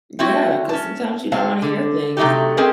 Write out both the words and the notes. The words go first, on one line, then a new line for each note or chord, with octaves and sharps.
Yeah, 'cause sometimes you don't wanna hear things.
C4 C#4 E4 F#4
C#4 A5
G#2 F#3 C4 F5 A5
D3
C3 F#3 A3 C#4 D#4 G4
G#3 C4 C#4 G#4 A#4